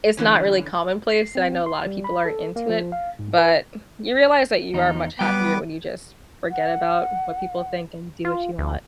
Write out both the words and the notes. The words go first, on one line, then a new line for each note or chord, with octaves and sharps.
it's not really commonplace and I know a lotta people aren't into it. But you realize that you are much happier when you just forget about what people think and do what you want.
D3 E3 C#4
C7
C4
C6
G3
B5
A4
A#3
F3
F5
G#2
B4
E2 D#4
F#3 G3 B3 B4 G5 D6
F#5
F4
D2